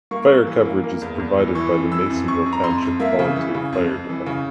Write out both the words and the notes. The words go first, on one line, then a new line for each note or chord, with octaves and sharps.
Fire coverage is provided by the Masonville Township Volunteer Fire Department.
A#3 C#6
A#3
E3
A#3
A#3
E2
E2
E3
E3 C#6
F2
E3 E6
F2
F2 C#6
F2
A#5
F2 C6
F2
A#3 E5
C#3
E3
C#3
F2
F2
E3
C#3